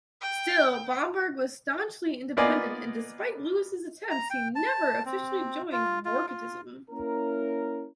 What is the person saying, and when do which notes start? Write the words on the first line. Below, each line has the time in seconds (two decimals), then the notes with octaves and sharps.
Still, Bomberg was staunchly independent and despite Lewis' attempts he never officially joined Vorticism.
0.21 G5
2.37 A#3 B3 F4 D5 D#5 G#5
4.11 A#5
4.30 G5
4.56 A5
5.06 C4
5.72 F4
6.05 F4
6.28 F4
6.90 A#3 C#4 E4 A#4